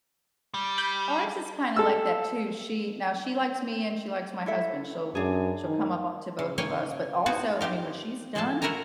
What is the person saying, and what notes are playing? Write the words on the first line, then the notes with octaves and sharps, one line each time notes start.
ours is kinda like that too. She now she likes me and she likes my husband. She'll she'll come up o to both of us, but also, I mean, when she's done,
G3
B5 G6
A4 E6
E4 A4 E5
F#2 D4 G#4
D#3
C#3
A#3 C#5 G5 G#5
B3 D#4 E4 F#4 G#4
C4 D#4 G4 A#4
A2 F3 G#3 F4 E5 A5
E4 F#4 A#4 E5 G#5 A#5